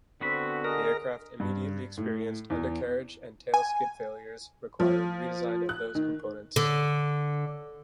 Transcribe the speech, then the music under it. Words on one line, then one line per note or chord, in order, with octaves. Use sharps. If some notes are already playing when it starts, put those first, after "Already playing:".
The aircraft immediately experienced undercarriage and tailskid failures, requiring redesign of those components.
D3 B3 C4 F#4 B5
G#4 A#4 D#5
G2
A2
E2
G#5
F3
F#6
D#3
D3